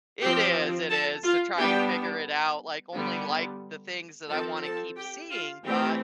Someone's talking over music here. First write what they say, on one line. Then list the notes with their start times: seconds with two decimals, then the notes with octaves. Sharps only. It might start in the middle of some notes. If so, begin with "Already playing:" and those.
It is, it is to try and figure it out, like, only like the things that I wanna keep seeing, but
0.21 F3 C4 G4 G5
0.89 A4 A5
1.23 F4 F5
1.57 G3 B3 D4 G4 G5
2.93 D3 G3 B3
4.29 F3 C4 A4 A5
4.63 A4 A5
4.96 G4 G5
5.30 F4 F5
5.64 E3 A3 C4 G4 G5